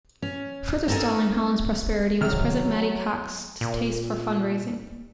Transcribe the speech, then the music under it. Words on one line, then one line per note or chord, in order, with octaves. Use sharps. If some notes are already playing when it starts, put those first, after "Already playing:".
Further stalling Hollins' prosperity was President Matty Cocke's distaste for fundraising.
C#4
C4 D#4 A4 A#4 G#5
C3 D#3 F#3 F6
A#2